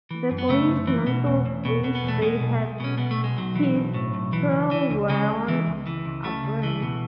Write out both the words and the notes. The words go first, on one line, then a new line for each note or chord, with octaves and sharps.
The boyish mantles which they had hitherto worn are burned.
E3
F#2
B3
C#3 A3
F#2
E3
B2
E2
E2
B2
B2
B3
E2
A3
B2 G#3
B1
B1
B2 C#4
B2 B3
A3
B1
G#3
B1 F#3
E3
B1
A2
B1
E3
C#2
E3
C#2
C#3 G#3
C#2
E3
C#2
E3
C#2
C#3 A3
C#2
E3
B2